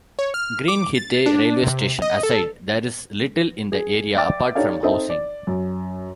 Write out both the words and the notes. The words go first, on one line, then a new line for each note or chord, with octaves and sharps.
Greenhithe railway station aside, there is little in the area apart from housing.
C#5
F6
D6
A6
D4
C3
D#5
A4
G#4
D5 E5 G5 D6 A6
D#4 G4 A4 C#5 D5 F5
C4 D#4 A4 C5 D#5 E5
D5
F#2